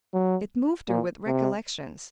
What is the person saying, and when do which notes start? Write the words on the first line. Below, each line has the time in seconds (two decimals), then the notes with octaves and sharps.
It moved her with recollections.
0.14 F#3
0.88 A#2
1.26 C3